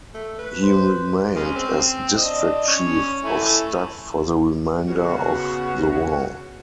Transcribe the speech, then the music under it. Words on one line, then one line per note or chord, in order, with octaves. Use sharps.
He remained as district chief of staff for the remainder of the war.
A3
B4
C5
G#3 C#4
C4
D4 D#5
C#4 C#6
A3 E4 G#5
C#3 B3 C#4 F#4